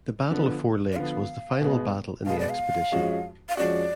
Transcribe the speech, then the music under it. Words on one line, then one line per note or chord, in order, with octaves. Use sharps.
The Battle of Four Lakes was the final battle in the expedition.
D3 F3 B3
D5
D3 F3 B3 F5
B2 G#3 B3
B2 G#3 B3 F5
D5
F5
F2 F3 G#3 C#4 F#4
F5
F2 F3 G#3 C#4 F#4 D5